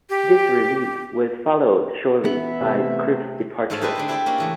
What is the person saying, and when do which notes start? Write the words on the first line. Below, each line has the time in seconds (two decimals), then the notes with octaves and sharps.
This release was followed shortly by Crypt's departure.
0.09 G4
2.25 E3 B3 B4 E5
2.60 C3 A3 C4
3.70 G#2 A3 A4 C5 F5
3.82 D#4 G4 B4 C5 D5 E5
3.95 D3 G#3 C4
4.08 C4 E4 G4 A4 D5 G5
4.26 A#3 C#4 D4
4.38 C#3 E3 A3